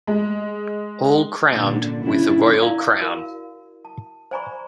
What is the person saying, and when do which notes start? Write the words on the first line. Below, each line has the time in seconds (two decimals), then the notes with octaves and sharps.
All crowned with a royal crown.
0.07 G#3
1.53 A#2 D3
2.00 C#3 G3 D4 E4
2.60 E4 A#4 D5 F5
3.01 F#4 A#4 F5
3.85 A5
4.31 C5 D5 G#5 A#5 B5 C#6